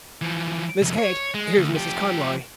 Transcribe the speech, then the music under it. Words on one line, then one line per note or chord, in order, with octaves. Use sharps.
"Miss Kate, here's Mrs. Conroy."
E3 F3
C2 F2
C#5
G#3
D2
F3 G4